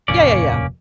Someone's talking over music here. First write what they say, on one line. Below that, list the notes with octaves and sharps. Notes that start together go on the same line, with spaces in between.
Yeah, yeah, yeah.
F1 D#2 A2 A#3 C#4 D5